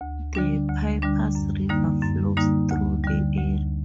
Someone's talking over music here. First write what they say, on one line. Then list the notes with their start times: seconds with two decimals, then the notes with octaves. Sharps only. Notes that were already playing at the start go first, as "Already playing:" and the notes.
The Pipers River flows through the area.
0.01 D2
0.35 D3 G3 D4
0.69 D2
1.02 D3 G3 D4
1.35 F#2
1.69 D3 G3 A#3 D#4
2.02 F#2
2.37 D3 G3 A#3 D#4
2.70 D2
3.04 D3 G3
3.37 D2